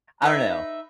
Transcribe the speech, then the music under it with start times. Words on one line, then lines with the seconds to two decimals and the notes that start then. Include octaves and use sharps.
I don't know.
0.22 D#4 B4 E5